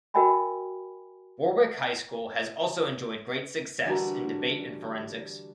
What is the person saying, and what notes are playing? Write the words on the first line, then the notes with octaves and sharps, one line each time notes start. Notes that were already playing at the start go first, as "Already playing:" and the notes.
Warwick High School has also enjoyed great success in debate and forensics.
F#4 A#4 D#5 G5 G#5 B5
D3 E3 G3 D4 F#4 A#4